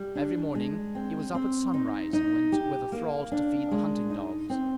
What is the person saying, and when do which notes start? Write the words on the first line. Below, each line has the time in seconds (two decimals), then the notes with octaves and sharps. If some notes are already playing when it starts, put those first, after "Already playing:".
Every morning he was up at sunrise and went with a thrall to feed the hunting dogs.
Already playing: G3
0.15 D4
0.55 G#3
0.95 C4
1.34 C4
1.74 D#4
2.13 D#4
2.52 G4
2.92 A#3
3.32 D4
3.71 G#3
4.10 D#4
4.50 C4